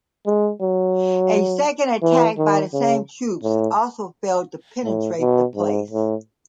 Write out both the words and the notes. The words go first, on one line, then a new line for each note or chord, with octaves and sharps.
A second attack by the same troops also failed to penetrate the place.
G#3
F#3
E3
D#3
C#3
A2
A2
B2
G#2
A2